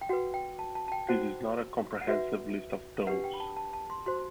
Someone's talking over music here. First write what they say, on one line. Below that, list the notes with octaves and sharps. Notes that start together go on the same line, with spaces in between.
This is not a comprehensive list of those.
G5
F#4 B4 F#5
G5
A5
A5
A5
G5
F#4 C5 F#5
F#5
F#4 B4 E5
D4 G4 B4 F#5
G5
B5
A5
A5
A5
C6
F#4 C5 C6